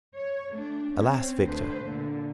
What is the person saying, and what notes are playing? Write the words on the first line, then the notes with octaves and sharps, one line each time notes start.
Alas, Victor!
C#5
A3 D4
C4 C#4
D2 D3 A3 B4 C5
A#2 D3